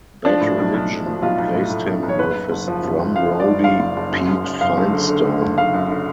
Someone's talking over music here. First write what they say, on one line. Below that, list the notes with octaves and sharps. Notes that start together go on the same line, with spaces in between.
Bad Religion replaced him with his drum roadie, Pete Finestone.
F3 D4
A2
B1
B1
B1
F3
B1 F4
B1
A2
A2
B1
B1
C#5
F#1 B4
F#1
F#1
F3
F#2
F#1
F#2 F5
F3
D5
F#1
F#1 F5
F#1
F#1
F#2
F#2
F#2
F#2 F5
F#1
D3
D3
D3
F#1
F#1 F5
F#2
D3